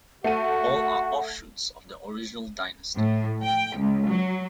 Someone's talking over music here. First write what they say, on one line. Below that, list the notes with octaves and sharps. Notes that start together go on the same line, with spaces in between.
All are offshoots of the original dynasty.
A3 F#4 F#5 D#7
A2
G5
C#2
F#3